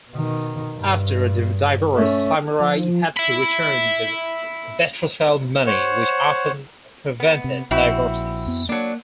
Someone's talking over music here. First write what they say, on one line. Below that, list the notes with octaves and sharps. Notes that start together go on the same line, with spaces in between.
After a divorce samurai had to return the betrothal money, which often prevented divorces.
B2 D#3
G2
A3 C#4
F3
E5 B5
C5 C#5 F#5
B3
C3
A#1 C4 E4 F#4
F2 B3
F#3 A#3 D4